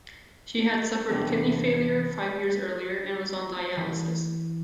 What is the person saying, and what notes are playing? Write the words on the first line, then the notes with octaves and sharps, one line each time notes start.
She had suffered kidney failure five years earlier and was on dialysis.
E2 C3 D4
E3